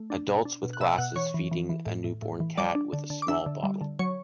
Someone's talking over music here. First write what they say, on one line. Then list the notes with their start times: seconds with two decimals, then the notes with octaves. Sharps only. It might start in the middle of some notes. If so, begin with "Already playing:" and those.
Adults with glasses feeding a new born cat with a small bottle.
Already playing: A3
0.10 D4
0.27 B2
0.45 D4
0.63 B2
0.73 F#6
0.80 B2 E5 E6
0.98 B2 F#5 F#6
1.16 E3 C#5 C#6
1.34 E3
1.52 E3
1.69 E3
1.86 A2
2.04 A2
2.22 A2
2.40 E3
2.57 G3 D5 D6
2.75 D4
2.93 D3
3.10 D3
3.22 D6
3.28 D4 E5 E6
3.46 D3
3.63 G3
3.81 D3
3.99 F#3 C#5 C#6